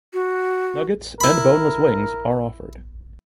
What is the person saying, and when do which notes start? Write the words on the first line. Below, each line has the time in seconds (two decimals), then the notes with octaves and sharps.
Nuggets and boneless wings are offered.
0.13 F#4
1.21 E4 A#4 B5